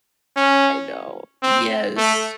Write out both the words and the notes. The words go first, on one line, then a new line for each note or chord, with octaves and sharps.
I know. Yes.
C#4
C4
A3